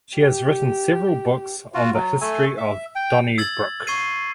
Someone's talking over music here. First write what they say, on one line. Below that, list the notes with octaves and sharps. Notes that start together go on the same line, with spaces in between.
She has written several books on the history of Donnybrook.
G4
F4 F#4
F#3
A3 A4 G#5
E5
G5
E6 G#6 A6 F#7
C#6 G#6 C7 D#7